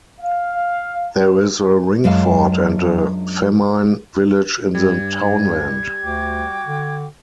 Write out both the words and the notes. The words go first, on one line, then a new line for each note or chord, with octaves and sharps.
There is a ringfort and a famine village in the townland.
F5
F#2 F#3 G#3 D4 F4 F5
G2 G3 G#6
D2 F#4 G5 D6
D3